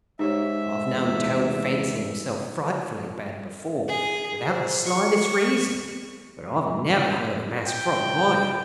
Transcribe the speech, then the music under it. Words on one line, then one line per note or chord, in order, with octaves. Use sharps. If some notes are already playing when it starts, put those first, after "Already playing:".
'I've known Toad fancy himself frightfully bad before, without the slightest reason; but I've never heard him ask for a lawyer!
G#2 D#4 G4 C#5 E5
E2
G#4
C5
C#6
G5